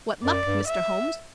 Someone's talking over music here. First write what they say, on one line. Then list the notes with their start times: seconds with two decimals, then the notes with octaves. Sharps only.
"What luck, Mr. Holmes?"
0.24 F#2 D5
0.45 G2
0.67 E5